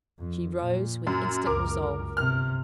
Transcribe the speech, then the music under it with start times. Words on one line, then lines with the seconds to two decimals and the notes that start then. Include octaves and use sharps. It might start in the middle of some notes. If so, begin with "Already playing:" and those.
She rose with instant resolve.
0.19 F2
0.59 A#2
1.07 F#2
1.46 C#2 F#2 A#4 D6
2.17 G1 C3 F6